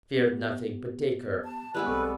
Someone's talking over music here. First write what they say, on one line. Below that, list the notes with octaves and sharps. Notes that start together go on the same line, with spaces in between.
'Fear nothing, but take her.'
B3 G4
A5
G3 G#3 B3 E4 B4
B1 C4 A4 C#6